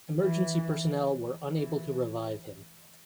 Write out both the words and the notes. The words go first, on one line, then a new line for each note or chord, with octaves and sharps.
Emergency personnel were unable to revive him.
E3
E3